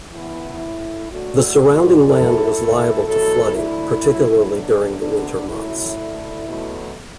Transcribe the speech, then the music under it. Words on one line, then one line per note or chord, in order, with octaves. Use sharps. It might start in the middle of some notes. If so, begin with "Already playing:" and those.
The surrounding land was liable to flooding, particularly during the winter months.
E2 E3 B3 E4
A2 A3
A2 A3 D4 F#4
D2 D3 A3
F#2 F#3 A3 E4 A4
A2 A3
E2 B2 F#3 E4 A4
D2 D3 A3 E4
F#2 F#3 A3
B2 F#3 A3 D4
D2 D3 B3 D4
F#2 F#3 A3 E4
D2 D3 A3
E2 B2 F#3 A3